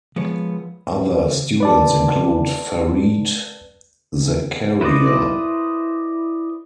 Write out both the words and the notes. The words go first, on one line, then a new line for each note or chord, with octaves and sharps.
Other students include Fareed Zakaria.
F3 G#3 B3 C#5
B4 D5 A5
E4 B4 C5 D5 D#5